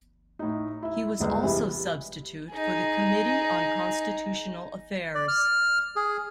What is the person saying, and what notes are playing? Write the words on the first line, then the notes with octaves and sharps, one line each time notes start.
He was also substitute for the Committee on Constitutional Affairs.
A2 D#4
E4 E5
G1 C#2
C3 E3 G3 B3
D#4 G#4
D5
F6
G#4